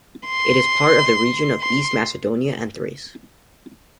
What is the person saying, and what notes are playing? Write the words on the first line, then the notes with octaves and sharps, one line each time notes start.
It is part of the Region of East Macedonia and Thrace.
C6
C6